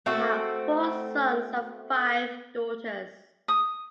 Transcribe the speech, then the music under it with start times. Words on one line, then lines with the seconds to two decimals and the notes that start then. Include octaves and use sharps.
They had four sons and five daughters.
0.06 A3 C4 F#4
3.48 D#6